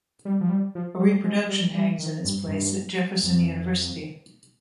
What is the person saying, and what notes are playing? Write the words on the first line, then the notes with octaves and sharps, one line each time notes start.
A reproduction hangs in its place at Jefferson University.
G3
F3
G3
F3
G3
G#3
G3
G3
D#3
G2
G2
F2